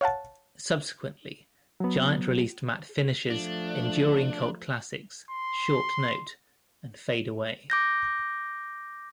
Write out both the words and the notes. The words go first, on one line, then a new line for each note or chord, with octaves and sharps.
Subsequently, Giant released Matt Finish's enduring cult classics "Short Note" and "Fade Away".
C#5 F5 F#5 A5
F#3 B3
F3 A3 D4
C6
D6 G6 A#6